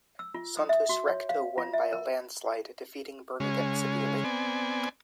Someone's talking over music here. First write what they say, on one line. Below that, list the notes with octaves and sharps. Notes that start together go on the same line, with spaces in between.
Santos-Recto won by a landslide, defeating Bernadette Sabili.
E6
F4
D#6
E5
F#4
C#5
F5
F4
E5
A#4
C#3 G#3 C#4
B3 C4 D5 G#5